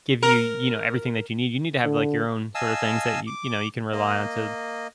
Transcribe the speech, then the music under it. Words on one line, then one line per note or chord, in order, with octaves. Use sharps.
give you, you know, everything that you need. You need to have, like, your own sort of things that you you know, you can rely on to
A#4
D3
D#5 F5 G#5 A5 E6
D6
A#3 D#5